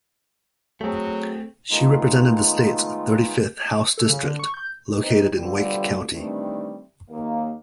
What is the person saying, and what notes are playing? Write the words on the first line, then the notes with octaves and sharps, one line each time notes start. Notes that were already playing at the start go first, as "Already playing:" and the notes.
She represented the state's thirty-fifth House district, located in Wake County.
F#3 A3 C4 G#4 A4
D#3 G#3 A3 B3 D#4 F4
A4
C#3
D3
C#6
G6
B2 C4 D#4
B2 D3 F3 G3
D#3 E3 G3 A3 C4 D4
D#2 A#3